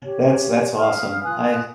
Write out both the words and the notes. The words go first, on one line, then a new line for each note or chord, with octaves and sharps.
That's that's awesome. I
G4 C#5
B4 F5 D#6 F6
F4 G#5 D#6 F#6